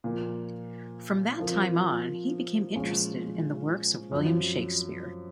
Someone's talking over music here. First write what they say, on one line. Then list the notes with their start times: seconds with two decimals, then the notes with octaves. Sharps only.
From that time on he became interested in the works of William Shakespeare.
0.04 A#2 F3 A#3
1.40 F3 C4 F4 A#4
2.76 A#2 F3 G#3 C#4 F4
4.11 F#2 F3 C4